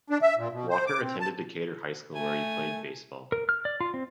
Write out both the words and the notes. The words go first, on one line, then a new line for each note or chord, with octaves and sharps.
Walker attended Decatur High School where he played baseball.
D4
E5
A#2
B2
C5
D6
C4
A5
A3 G#5
A#4
F6
D5
F4
C4